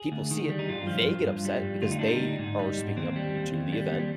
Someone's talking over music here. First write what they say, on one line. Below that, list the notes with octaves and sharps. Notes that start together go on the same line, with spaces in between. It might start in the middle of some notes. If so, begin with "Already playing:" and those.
People see it, they get upset because they are speaking up to the event.
Already playing: G#4
D2
D#3
G3
D#4
G2 F4
F3
G2
G2
G3
G2
D2 F4
D#4
G3 D4
D#4
D2
G#2
G3
G#2
D#2 C4
G3
D#2
D#2
G3
D#2
G3